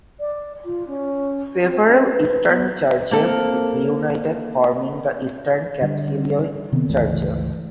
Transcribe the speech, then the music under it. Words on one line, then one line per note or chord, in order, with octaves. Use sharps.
Several eastern churches reunited, forming the Eastern Catholic Churches.
D5
F4
C#4
C4
C#4
B4
B3
A#3 C4 A4
D3 G3
C3 D#3 B3 C4
G1 C#2 E3 A3